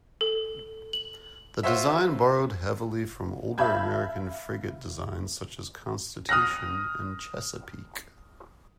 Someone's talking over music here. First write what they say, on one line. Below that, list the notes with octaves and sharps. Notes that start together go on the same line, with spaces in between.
The design borrowed heavily from older American frigate designs such as "Constitution" and "Chesapeake".
A4
F#7
F4 F#4 C5 C#5 E5
E5 F5 A5 B5 G6 G#6
D#6 F6 F#6 A#6